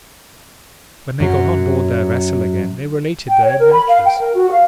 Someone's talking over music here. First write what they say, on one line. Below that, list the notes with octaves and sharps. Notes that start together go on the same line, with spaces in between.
When they got on board their vessel again they related their adventures.
F#2 F#3
G5
C#5
A#4
B5
F5
G5
A#4
F#4
F5